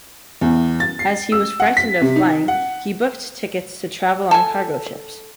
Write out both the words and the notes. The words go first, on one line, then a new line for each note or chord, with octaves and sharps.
As he was frightened of flying, he booked tickets to travel on cargo ships.
E2
A6
C7
E6
F#5
B6
C3
D#4
F#5
A4 G#5